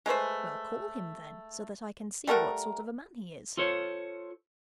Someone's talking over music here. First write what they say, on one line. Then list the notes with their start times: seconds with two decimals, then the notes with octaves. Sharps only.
'Well, call him then, so that I can see what sort of a man he is.'
0.06 G#3 A3 B4 C5
2.27 G3 A3 A#4 F#5
3.57 F4 A4 C5 C#5